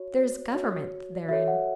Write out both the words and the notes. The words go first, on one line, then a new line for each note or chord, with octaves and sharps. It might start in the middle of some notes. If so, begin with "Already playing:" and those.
There is government therein.
Already playing: F#4 C#5
F#4 C#5
F#4 A4 C#5 E5
F#5